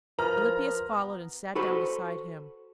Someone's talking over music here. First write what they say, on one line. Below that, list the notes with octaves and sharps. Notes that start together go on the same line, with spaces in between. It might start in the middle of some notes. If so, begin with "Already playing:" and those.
Alypius followed and sat down beside him.
F3 A#4 B4 A#5 F6
B3
F#4 A4 B4 C5